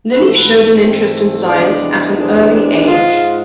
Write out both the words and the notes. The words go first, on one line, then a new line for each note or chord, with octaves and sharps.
Lilly showed an interest in science at an early age.
G#2 E3 A3 C4 B4
C5
B4
G#2 E3 A3 C4
E2 C3 G#3 D4 D5
E2 C3 G#3 D4
G#2 F3 G#3 F4